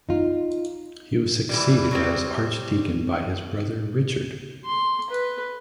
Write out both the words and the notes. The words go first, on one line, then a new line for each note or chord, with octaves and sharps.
He was succeeded as Archdeacon by his brother Richard.
D#4 F4
E3 G3
F#3 G3 C4
C6
B4